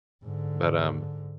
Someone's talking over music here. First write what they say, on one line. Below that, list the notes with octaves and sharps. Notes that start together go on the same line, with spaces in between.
but, um,
G#2 D3